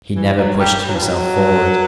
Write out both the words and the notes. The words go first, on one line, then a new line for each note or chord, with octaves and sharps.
He never pushed himself forward.
E3
F#3
G3
G3
F#3
F3
F#3